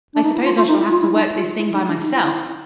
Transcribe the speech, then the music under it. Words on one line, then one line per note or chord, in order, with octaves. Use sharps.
"I suppose I shall have to work this thing by myself."
D4
D#4
E4
F4
F4
D#4
E4
F4
E4
D#4
F4
E4
D#4
D4
D#4
E4
E4